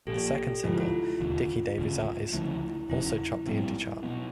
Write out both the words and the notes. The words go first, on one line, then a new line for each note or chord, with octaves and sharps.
The second single, "Dickie Davies Eyes", also topped the indie chart.
A#1 A#2 F3 A#3 G4 A4
D2 C3 F3 G#3 F4
E4
F4
E1 D#2 D3
E1 D2 C#3
D2 C#3 F3 A3 E4
F1 E2 C#3 F#3 E4
A#1 A#2 G3 C4
B2 F#3 B3